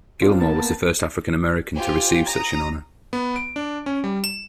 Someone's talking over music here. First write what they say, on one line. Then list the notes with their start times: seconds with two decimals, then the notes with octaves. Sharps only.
Gilmore was the first African American to receive such an honor.
0.22 C4 D4 F4
0.40 A#3 B3 A5
1.75 F4 G4 C5 G5 G#5
2.25 A#5 D#6
3.13 B3
3.36 D7
3.56 D4
3.86 C#4
4.04 G3
4.24 E7